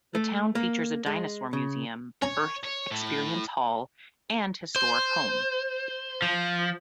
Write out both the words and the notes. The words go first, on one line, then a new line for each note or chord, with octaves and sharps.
The town features a dinosaur museum, Earth Experience Hall, and historic home.
A3
A#3
G#3
C#3
C#4 C#5 A#5
C#5
A2
C5
F3